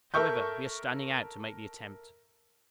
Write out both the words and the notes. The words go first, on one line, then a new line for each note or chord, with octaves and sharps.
However, we are standing out to make the attempt.
A4 A#4 E5 C#6 G6